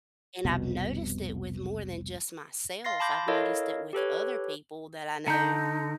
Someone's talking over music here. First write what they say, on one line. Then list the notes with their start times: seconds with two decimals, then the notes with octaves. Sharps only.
and I've noticed it with more than just myself, I've noticed it with other people that I know,
0.45 F1 C2 B2
2.84 F5 C6 A6 A#6 C7
3.00 A5 B5 C6 D6 G6 A#6
3.28 E4 A4 A#4 C#5 D#5 F5
3.93 G4 A4 B4 C#5
5.28 D3 D#4 A#5 G6